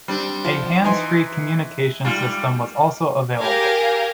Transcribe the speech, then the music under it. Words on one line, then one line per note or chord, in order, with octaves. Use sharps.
A hands-free communication system was also available.
G3 C4 D4
F3
E3 D#4 G#5 C6
G#2 G3 F4
G4 G#4 A#4 F5 G#5 A#6